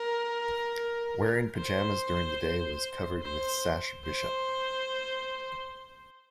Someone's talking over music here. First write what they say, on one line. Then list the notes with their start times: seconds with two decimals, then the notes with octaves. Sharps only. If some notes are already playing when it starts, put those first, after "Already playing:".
Wearing pyjamas during the day was covered with Sash Bishop.
Already playing: A#4
1.57 C5
3.22 C5
4.05 C5